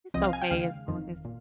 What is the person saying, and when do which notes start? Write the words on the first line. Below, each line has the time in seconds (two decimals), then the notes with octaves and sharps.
it's okay as long as
0.14 C2 C3 F3 C4 D#5
0.24 F5
0.33 G#5
0.42 G5
0.51 D#2 C#3 G#3 F5
0.88 G1 F2 D#3
1.25 A#2